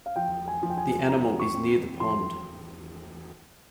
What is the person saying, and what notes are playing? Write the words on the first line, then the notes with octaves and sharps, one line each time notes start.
The animal is near the pond.
F5
F3 G5
G#5
F3
G5
G#5
E4 A#5
C#6
C4
F3 C6